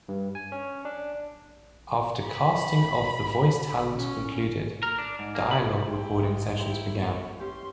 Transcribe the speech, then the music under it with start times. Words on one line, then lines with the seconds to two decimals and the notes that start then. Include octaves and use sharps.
After casting of the voice talent concluded, dialogue recording sessions began.
0.09 G2
0.35 G#5
0.52 C#4
0.85 D4
2.27 B5
3.95 C#4
4.83 A#4
4.98 D4
5.19 G#2
5.35 A#3
5.51 B5
5.85 E4 G4
6.19 G#3 D#5
6.59 E4 G4 C5 A#5
6.95 B3 C#5
7.40 C#4 E4 G4 C6